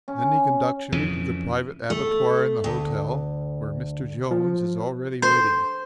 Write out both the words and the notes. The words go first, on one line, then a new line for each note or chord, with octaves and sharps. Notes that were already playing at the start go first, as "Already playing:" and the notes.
Then he conducts you to the private abattoir in the hotel, where Mr. Jones is already waiting.
C#4
F2 C#3 E3
A3
D2
F3
C5